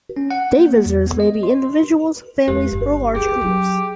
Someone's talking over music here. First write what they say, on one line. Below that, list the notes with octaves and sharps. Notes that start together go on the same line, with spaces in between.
Day visitors may be individuals, families, or large groups.
C#4
F#5
A#3
E2
B3
D#5
C6
E2 G#3 G4
G1
D2 E3 G4 G#4
F#3 C#4